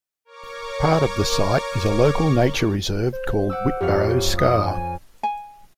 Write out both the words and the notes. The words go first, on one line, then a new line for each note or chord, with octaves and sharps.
Part of the site is a local nature reserve called Whitbarrow Scar.
A#4 C#5 C#6 D6
C5
F#5 D6 E6
F2 G4 C#5 F5
D#6
G#5
G#5